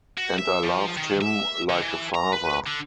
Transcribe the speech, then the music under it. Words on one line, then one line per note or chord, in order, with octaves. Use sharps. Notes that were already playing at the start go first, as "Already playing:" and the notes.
And I loved him like a father.
F#4
E5
F3
D#3
E5
D3
E3
A#5
B4
D3